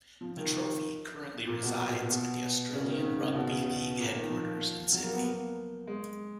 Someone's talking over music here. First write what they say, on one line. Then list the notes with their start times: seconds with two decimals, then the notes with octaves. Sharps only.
The trophy currently resides at the Australian Rugby League headquarters in Sydney.
0.21 F3
0.37 D#3
0.52 D#3
1.46 A#2
1.62 B2
1.89 A#2
2.00 A#2
2.10 B2
2.73 C#3
2.88 D#3
3.04 C#3
3.20 C#3
3.35 B2
3.49 C#3
3.64 B2
3.98 A#2
4.14 D#3
4.30 F3
4.93 F#3
5.03 A#3
5.13 B3
5.24 A#3
5.87 G#3